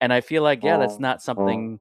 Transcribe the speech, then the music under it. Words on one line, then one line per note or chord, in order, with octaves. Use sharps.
and I feel like, yeah, that's not something
G#2
G2